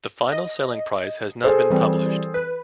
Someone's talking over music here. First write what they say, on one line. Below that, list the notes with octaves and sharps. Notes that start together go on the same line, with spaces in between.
The final selling price has not been published.
D#5
G#4 A4 C5
E3 G3 C4
B4